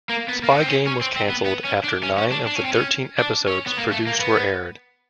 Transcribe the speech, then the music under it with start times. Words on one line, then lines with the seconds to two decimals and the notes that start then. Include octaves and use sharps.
"Spy Game" was canceled after nine of the thirteen episodes produced were aired.
0.10 A#3
0.29 B3
0.44 A#3
0.51 B3
0.59 C4
0.68 C#4
0.86 C#4
1.01 C4
1.16 C4
1.30 B3
1.45 B3
1.64 C#4
1.83 D4
2.03 C#4
2.18 C#4
2.31 D4
2.47 D4
2.55 C#4
2.64 C4
2.73 C#4
3.19 D4
3.48 C#4
3.66 B3
3.77 A#3
3.92 A3
4.07 A#3
4.20 B3